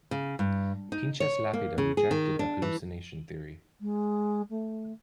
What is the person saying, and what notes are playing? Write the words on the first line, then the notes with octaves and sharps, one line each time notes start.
Pinchas Lapide rejected the hallucination theory.
C#3
G2
D#4
C#5
A#3
C#3
G#4
D#3
D4
E3
G#3
A3